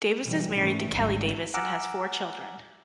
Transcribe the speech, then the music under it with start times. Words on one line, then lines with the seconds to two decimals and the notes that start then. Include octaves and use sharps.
Davis is married to Kelly Davis and has four children.
0.24 B2 E3 F#3 G3
0.55 G#2 C3 D#3 E3 A3 C#4
0.90 G#1 D2 G2 G3 C#4
1.54 F#5 G#5 A#5 D6 E6 F6